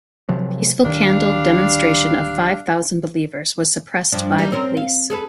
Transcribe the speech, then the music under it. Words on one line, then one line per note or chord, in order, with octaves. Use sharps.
The peaceful Candle Demonstration of five thousand believers was suppressed by the police.
C3 F3 F#3
D1 D#3 G3 D4 F5
G2 F3 D4
G3 A#3 D#4
C4 C#4 A#4
F5
G#4 A4 B4